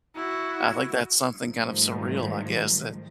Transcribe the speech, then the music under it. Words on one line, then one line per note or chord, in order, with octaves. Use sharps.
I think that's something kind of surreal, I guess, that
E4 F#4
G#2 D#3 F3 G3 A3